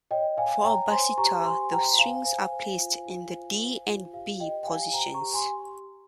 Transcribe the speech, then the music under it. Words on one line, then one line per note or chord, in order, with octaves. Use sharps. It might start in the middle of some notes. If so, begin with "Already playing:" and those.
For a basitar, the strings are placed in the D and B positions.
C#5 D#5 G5
C#5 F5 G#5
C#5 G5 A#5
C5 G#5 C6
G4 A#5 C#6
C5 G#5 C6
C5 G5 A#5
C5 F5 G#5
C5 F5 G#5
C5
F4
F4
C5
C5
F4
G4 F5
C5 D#5 G5
G5
G4 F5 G#5
C5 G5 A#5
A#5 C#6
G4
G#5 C6